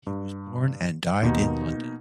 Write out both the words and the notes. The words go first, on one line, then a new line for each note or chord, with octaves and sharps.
He was born and died in London.
G2
D#2 B2 A#3 D#4